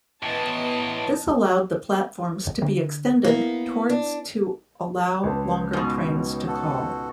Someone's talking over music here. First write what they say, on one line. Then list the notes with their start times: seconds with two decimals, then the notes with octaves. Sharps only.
This allowed the platforms to be extended towards to allow longer trains to call.
0.23 A2 E3 B3 D#5 A5
2.62 D3
3.24 A#3 B3 E4
3.89 D4
5.23 C#2 B4 A5
5.73 G#2 B2
6.47 F#4 A4